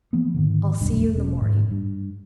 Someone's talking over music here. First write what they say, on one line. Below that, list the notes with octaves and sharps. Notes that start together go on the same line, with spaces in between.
I'll see you in the morning.'
E3 F3 A#3 B3
G#2 D3 D#3
F1 B1 E2 G2
E1 C#4
G#2
G2